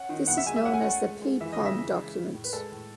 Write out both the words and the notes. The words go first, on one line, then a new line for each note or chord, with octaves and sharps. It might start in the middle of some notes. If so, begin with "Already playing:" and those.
This is known as the Paypom document.
Already playing: C#4 F#5
D#3
B2 F#5
E5
G#3 G#5
E5
C#4 F#5
G#5
A3 F#5
G#3
G#3
E3 E5
D#5
C#3
E5
E3
G#3
G#3
A2
B4
G#3 A4
A2